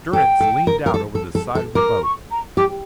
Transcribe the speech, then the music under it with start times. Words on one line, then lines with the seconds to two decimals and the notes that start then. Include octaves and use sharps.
Durrance leaned out over the side of the boat.
0.13 A4 G5
0.40 A4
0.67 A#4
0.86 A#4
0.94 A4
1.15 A4
1.35 A4
1.55 A4
1.75 A#4 D6
2.03 C#6
2.30 A#5
2.57 G4 D6